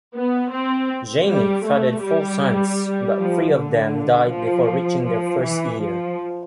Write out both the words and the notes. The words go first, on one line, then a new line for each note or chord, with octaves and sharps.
Jami fathered four sons, but three of them died before reaching their first year.
B3
C4
G3
A3
G3
F3
D3
F3
F3
E3
F3